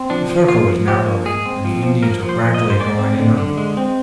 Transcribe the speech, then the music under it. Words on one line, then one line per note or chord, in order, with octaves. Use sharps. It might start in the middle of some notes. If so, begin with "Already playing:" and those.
The circle was narrowing, and the Indians were gradually drawing in on them.
Already playing: C4
F3 D4
F3
A#3 F4
F3
F3 G4
A#3
G#3 G#4
C4
F3
F3
A#3 A#4
F3
C5
F3
D#5
A#3
C5
G#3 D5
C4
D3
D3
G#3
C4